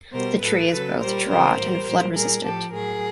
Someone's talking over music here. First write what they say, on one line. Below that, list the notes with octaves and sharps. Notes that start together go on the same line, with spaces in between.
The tree is both drought and flood resistant.
B2 G3 A#4 C5
A2 F#3 A4 B4
C#3 F#3 A4 B4
A#2 G3 A#4 C5
C#3 E3 G3 A#4 C5
A2 E3 G3
A#2 F3
A#2 G3 G#4 A#4
A2 F3 G4 A4
A2 F#3 G#4 A#4